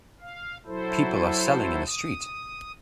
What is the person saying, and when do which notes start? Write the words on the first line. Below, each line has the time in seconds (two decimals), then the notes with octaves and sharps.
People are selling in the street.
0.21 F5
0.66 F#3 E4 A4 C5
1.86 D#6